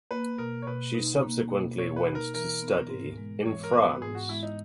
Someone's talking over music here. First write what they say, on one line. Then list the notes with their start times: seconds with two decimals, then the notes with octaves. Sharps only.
She subsequently went to study in France.
0.11 A#3 B4
0.38 B2 A#4
0.62 C#5
0.67 B2 B4
0.95 D#4
1.23 A#3
1.50 B2
1.78 B2 C#5
1.96 B4
2.06 D#4
2.15 A#4
2.34 E3 A#4
2.62 B3
2.90 G#2
3.18 G#3
3.45 E3 C#5
3.64 A#4
3.73 B3 B4
4.01 G#2 G#4
4.15 F#4
4.29 G#3 E4
4.43 D#4